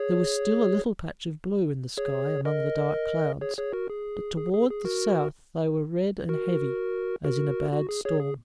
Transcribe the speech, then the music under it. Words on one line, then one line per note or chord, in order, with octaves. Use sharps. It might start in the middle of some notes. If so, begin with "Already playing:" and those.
There was still a little patch of blue in the sky among the dark clouds, but toward the south they were red and heavy, as in a bad storm.
Already playing: G#4 C#5
G#4 C#5
A#4 D#5
G#4 C#5
G#4 C#5
F#4 A#4
G#4
G#4
G#4
G#4
F#4 A#4
F#4 A#4
F#4 A#4
F#4
G#4
G#4 C#5
G#4